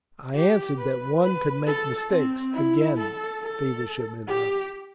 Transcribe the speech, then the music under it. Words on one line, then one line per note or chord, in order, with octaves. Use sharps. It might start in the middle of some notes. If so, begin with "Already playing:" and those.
"I answered that one could make mistakes," again Feversham interrupted.
G4
B4
B4
A4
C4
E4
A4
A4
G4